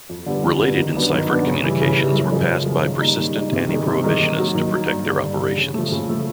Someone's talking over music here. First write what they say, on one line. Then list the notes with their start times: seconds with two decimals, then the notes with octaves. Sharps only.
Related enciphered communications were passed by persistent anti-prohibitionists to protect their operations.
0.09 F2
0.26 D3 G3 B3
0.44 F2
0.62 D3 G3 B3
0.79 D#3
0.96 F#3 B3 D4
1.13 D#3
1.29 F#3 B3 D4
1.47 C#3
1.64 E3 G3
1.81 C#3
1.99 E3 G3
2.14 F#2
2.32 C#3 F3 G#3
2.50 F#2
2.66 C#3 F3 G#3
2.83 D#3
3.01 G3 A#3 D#4
3.17 D#3
3.35 G3 A#3 D#4
3.52 C3
3.69 D#3 G#3
3.87 C3
4.04 D#3 G#3
4.20 D#3
4.38 F#3 A#3
4.55 D#3
4.72 F#3 A#3
4.88 G2
5.06 D3 G3
5.23 G2
5.40 D3 G3
5.58 C#3
5.74 F3 A3
5.92 C#3
6.09 F3 A3